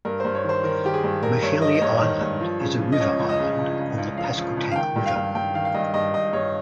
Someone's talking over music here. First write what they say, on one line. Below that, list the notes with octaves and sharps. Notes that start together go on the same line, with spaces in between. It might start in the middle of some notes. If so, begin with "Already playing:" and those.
Machelhe Island is a river island on the Pasquotank River.
G2 A#4
G2 C5
C#5
D#3
C5
D#3 A#4
D#3 G4
G#4
G2
G2 A#4
G2 C#5
D#3 D#5
D#5
G2 C#5
D#3
G2
F3
C#3
F3
D#5
C#2 C#5
C#2
D#5
C#3
C#2
C#3
C#2
F3 F5
F3
C#2
F5
D#3 G5
G2
F5
G2
G2 G5
D#3 F5
F5
G2 D#5
G2 D#5
G2 D#5
G2 C#5